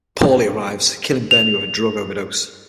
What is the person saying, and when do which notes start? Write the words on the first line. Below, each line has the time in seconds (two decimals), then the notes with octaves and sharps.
Paulie arrives, killing Bernie with a drug overdose.
1.31 F7